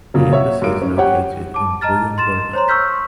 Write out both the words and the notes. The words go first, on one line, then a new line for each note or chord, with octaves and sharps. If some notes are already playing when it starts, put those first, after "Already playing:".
The Embassy is located in Bujumbura.
A#2 C#3 F#3
F#4 C#5 E5
F#2 G3 A#3 D7
C#4
G4 C#5 F#5 G5
A5 D6
D#5 A5 A#5 F6 A6
C6 A6 E7
C5 C#5 A#5 C6
C#6 E6 F6 G6 B6